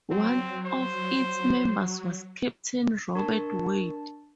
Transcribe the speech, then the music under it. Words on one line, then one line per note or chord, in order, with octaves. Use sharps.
One of its members was Captain Robert Wade.
F#3 C4
C5
D4 A#4 A5 C#6